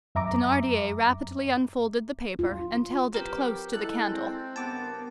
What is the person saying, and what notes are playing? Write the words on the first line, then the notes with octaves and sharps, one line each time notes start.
Thenardier rapidly unfolded the paper and held it close to the candle.
F#2 E5 A#5 D6
F4
F#3 C4 G4 A#4 B4
G#3 E4 A4 F#6
C4
G2 C#3 B3 A#4 A5 D6